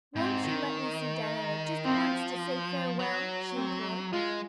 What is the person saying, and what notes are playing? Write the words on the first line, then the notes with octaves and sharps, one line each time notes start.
"Won't you let me see Diana just once to say farewell?" she implored.
G#2 C4
D#3
F3 C4
F#3
C4
G#3 F4